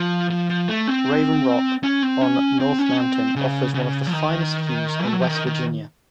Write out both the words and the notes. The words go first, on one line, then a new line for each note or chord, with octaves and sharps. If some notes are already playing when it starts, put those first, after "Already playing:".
Raven Rock, on North Mountain, offers one of the finest views in West Virginia.
Already playing: F3
F3
F3
A3
C4
C#4
C4
C#4
C4
C#4
C4
C#3
C#3
F3
D#3
A3
F#3
F3
D#3
D#3